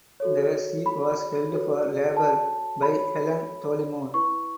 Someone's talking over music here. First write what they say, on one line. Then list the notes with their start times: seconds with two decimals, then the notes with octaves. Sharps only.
The seat was held for Labour by Helen Dollimore.
0.20 F#4 A4 C#5
0.86 B5
1.52 F#4 A4 C#5
2.17 A5
2.82 F#4 A4 C#5 B5
4.14 E4 B4 C#6